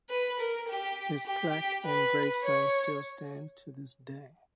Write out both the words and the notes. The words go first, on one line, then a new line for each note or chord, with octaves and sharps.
His plaque and gravestone still stand to this day.
B4
A#4
G4
G4
B4
C#5